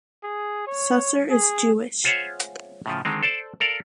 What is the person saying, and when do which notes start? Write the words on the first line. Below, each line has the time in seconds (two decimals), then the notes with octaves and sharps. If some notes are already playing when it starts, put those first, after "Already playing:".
Susser is Jewish.
0.23 G#4
0.66 C#5
1.30 G#4
2.04 F4 G#4 C5 C#5 E5 F#5
2.86 A2 C#3 F3
3.05 D3 D#3 G#3 C4
3.23 A4 C5 D5 A5
3.60 A4 A#4 D5 F5